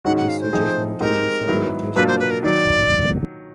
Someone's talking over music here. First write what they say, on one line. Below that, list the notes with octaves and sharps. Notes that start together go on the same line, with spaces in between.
This switch is mounted inside a rotating body.
G#2 D#3 G#3 C#4 F#4 F#5
F#5
F5
C5
F3 A3 C4 D#4 G#4
G#3 C4 D#4 G4 A#4
G#2 D#3 F#3 B3 E4
B2 F#3 A#3 D4 F4 B4
C5
B4
A#4
D#3 F#3 D5